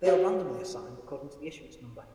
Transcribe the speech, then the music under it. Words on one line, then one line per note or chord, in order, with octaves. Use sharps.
They are randomly assigned according to the issuance number.
F#4 G4 C#5 F5